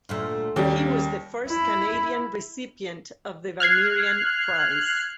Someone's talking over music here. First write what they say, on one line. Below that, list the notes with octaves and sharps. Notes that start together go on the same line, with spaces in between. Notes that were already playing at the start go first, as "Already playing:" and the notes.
He was the first Canadian recipient of the Vinerian Prize.
D2 A#2 A3
D#2 G3 A#3 C#4 G4
E4
F6 F#6 G#6 C7